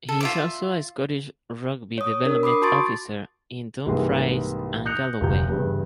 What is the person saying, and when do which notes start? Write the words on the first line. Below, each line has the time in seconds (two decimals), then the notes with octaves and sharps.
He is also a Scottish Rugby development officer in Dumfries and Galloway.
0.09 A4
0.21 F4 E5 D6
1.98 C#5 D#6
2.25 D4 A#4
2.43 B5 D6 D#6 C7
2.62 F#4 A5 C6 C#6 A6 D7
3.86 C2 G#2 E3 A#3 G#4 C6
4.85 D#6 F#6 G6 A#6 C#7 F7
5.21 F1 D2 F4 A#5 G6
5.49 E2 G2 C#3